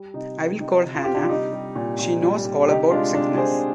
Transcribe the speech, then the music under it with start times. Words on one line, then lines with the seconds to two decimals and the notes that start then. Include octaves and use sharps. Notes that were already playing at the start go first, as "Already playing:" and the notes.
I'll call Hannah, she knows all about sickness.
Already playing: G3
0.14 C3 D#4
0.37 C3
0.60 C3 D#4
0.83 C3
0.95 F4
1.04 C3 G4
1.14 D4 F4
1.29 G3 D#4 G4
1.53 G3
1.75 A#2
1.99 A#2
2.22 G3
2.45 G3
2.68 C3 D#4 G4
2.91 G#3 D4 F4
3.14 C3 D4
3.37 C3 G#4 C5